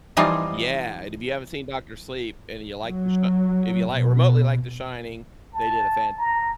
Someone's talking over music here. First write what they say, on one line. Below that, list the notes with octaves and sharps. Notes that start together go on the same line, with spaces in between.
Yeah, and if you haven't seen Doctor Sleep and you like The Shi if you like remotely like The Shining, they did a fan
E3 F3 G3 C4 D#4 F4
F#3
B2
A5
A#5